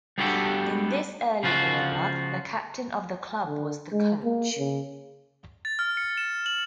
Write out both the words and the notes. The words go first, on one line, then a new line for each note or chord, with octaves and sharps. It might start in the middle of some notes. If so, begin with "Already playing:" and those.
In this early era, the captain of the club was the coach.
G3 B3 D4 F#4 G4 A4
C#3 F3 F4 F#4
D3
G#3
A#3
C#3
A6
F6
C#7
E7
F#7